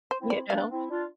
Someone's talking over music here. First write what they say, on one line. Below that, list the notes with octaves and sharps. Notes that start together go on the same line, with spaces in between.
You know?
C5
C4 E4
D5
B3 D4 F5
C4 E4
D4 F4